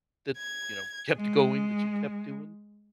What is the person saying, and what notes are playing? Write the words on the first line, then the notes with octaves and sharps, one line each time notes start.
that, you know, kept going that you kept doing?
G#6
G#3